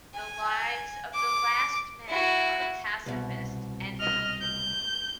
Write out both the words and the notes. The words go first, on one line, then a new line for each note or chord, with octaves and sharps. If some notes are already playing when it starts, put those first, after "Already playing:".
The lives of the last men are pacifist and comfortable.
G#5
D6
E4 F#4
C2 B2
D#5 F6
G6